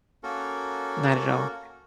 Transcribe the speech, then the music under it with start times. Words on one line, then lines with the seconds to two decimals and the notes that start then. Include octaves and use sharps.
not at all,
0.23 A#3 C#4 F#4 A4 A#4